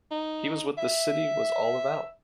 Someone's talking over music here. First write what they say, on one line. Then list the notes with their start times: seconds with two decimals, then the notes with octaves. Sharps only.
He was what the city was all about.
0.11 D#4
0.78 E5